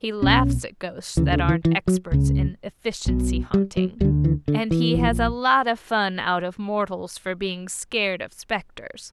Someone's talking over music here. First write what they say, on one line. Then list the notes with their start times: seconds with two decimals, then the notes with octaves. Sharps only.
He laughs at ghosts that aren't experts in efficiency haunting, and he has a lot of fun out of mortals for being scared of specters.
0.22 B1 B2 C#4
1.17 D2 C#3 E3
1.33 D3
1.49 E3
1.65 E3
1.88 F#3
2.12 C#2 C#3
3.06 B1 B2
3.54 G3
3.77 F#3
4.00 D2 G3
4.04 D3
4.24 E3
4.48 D3
4.71 E3
4.94 A#1 A#2